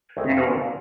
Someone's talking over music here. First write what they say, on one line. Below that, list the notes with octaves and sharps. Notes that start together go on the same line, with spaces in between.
you know
C2 A3 G#4 C5 D#5 G5
F2 C5 E5
C4 D4 F#4 A#4 C#5
D5 F5